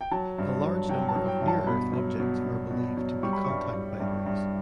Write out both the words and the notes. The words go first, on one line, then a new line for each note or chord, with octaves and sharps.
A large number of near-Earth objects are believed to be contact-binaries.
G5
F#3 A5
G2
F#3
F#3 G5
A5
F#3
G5
G2
A5
B2 B5
F#3
B2
B2
B2
F#3
G3 C#6
B5
G2 C#6
G2
G2
G2